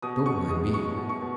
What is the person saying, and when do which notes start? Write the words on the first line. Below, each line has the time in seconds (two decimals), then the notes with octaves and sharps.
"Don't mind me."
0.02 B2 D#6
0.26 B2 C#6
0.49 G#3 D#6
0.73 G#3 C#6
0.97 B2
1.09 C#6
1.21 B2